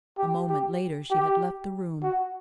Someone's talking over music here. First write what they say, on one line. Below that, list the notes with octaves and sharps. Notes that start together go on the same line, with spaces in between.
A moment later she had left the room.
G4
G4
G4
F#4